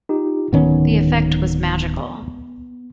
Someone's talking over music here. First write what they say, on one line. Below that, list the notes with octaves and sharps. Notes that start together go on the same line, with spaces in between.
The effect was magical.
D#4 F4 G4
D1 D#3 B3 C#4